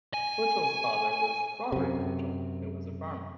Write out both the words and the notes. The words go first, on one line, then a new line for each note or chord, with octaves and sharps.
Twitchell's father was Robert Twitchell who was a farmer.
G#5
F#2 C3